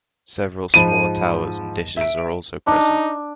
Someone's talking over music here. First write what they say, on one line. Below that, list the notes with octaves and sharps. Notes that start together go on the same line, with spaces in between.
Several smaller towers and dishes are also present.
G#2 F3 B5 D#7
E5 D7
D4 D#4